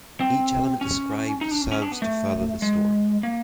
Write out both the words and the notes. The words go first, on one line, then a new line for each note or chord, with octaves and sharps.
Each element described serves to further the story.
C4
C#4
D#4
D4
C#4
C#4
D4
B3
A3
G#3
A#3